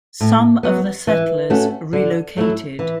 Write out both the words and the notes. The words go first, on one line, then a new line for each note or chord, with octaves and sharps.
Some of the settlers relocated.
A2
F#3 B3
E3
A3 C#4 F#4
D3
F#3 A3 E4
E3